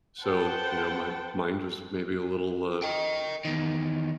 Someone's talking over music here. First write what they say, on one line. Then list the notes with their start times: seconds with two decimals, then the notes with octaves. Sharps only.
so, you know, my mind was maybe a little, uh,
0.23 B4 C5 F#5 G5 A5
2.82 D#5 G5
3.45 E2 D#3